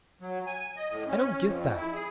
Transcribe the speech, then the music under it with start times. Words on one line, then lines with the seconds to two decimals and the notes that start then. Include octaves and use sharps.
"I don't get that."
0.21 F#3
0.47 G#5
0.77 D#5
0.90 A2
1.08 C#4
1.44 F2
1.75 E4
1.93 G#4